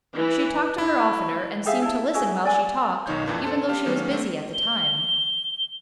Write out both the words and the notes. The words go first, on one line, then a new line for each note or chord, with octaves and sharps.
She talked to her oftener, and seemed to listen while she talked, even though she was busy at the time.
E3
E4
G4 G#4 E5 F5
E4 A5
E4 F#4 G#4
D5 G#5
B1 D#3 D#4 C#5 F5 G6
F2 A#2 E3 F3 D4
A4 C5 A5
G4 F5 A5 F6
D#3 F#3 G3 A#3 C#4
A3 A#3 C4
G7